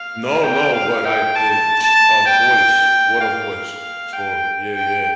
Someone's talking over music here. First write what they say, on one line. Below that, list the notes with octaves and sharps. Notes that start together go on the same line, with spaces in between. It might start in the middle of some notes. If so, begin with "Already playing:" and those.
No, no, but I did ch A voice, what a voice. Sure. Yeah, yeah.
Already playing: F5
G5
F5
G5
A5
A5
G5
F5
G5
G5